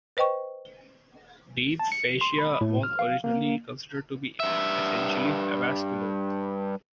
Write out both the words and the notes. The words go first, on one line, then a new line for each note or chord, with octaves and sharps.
Deep fascia was originally considered to be essentially avascular.
B4 C5 D#5 G5 C#6
A5
C#7
C6
B5
A2
F6
F5
A#3
G2 E5